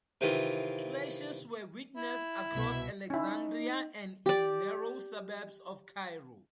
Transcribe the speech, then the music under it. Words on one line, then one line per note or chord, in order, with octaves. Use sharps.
Clashes were witnessed across Alexandria and in narrow suburbs of Cairo.
C3 D#3 E3 F4
E4
C2 B2 E5
C#4 D#4 E4
G4 D5